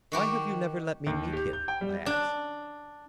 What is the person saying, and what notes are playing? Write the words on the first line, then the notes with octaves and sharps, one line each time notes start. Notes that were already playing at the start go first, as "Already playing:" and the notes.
"Why have you never let me meet him?" I asked.
D#3 F#4 G4
D#2
G4
G6
G5
G3
D4